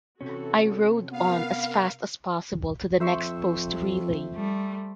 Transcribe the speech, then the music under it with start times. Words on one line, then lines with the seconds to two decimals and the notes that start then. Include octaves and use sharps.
I rode on as fast as possible to the next post relay.
0.21 C3 E3 C#4 F#4 A4
1.12 B3 A#4 B4 F5
3.00 F2 C5 E5 C#6
4.34 G3 A3